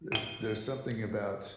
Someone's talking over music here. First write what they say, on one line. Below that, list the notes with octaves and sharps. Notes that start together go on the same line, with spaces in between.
a there's something about,
D#7 G7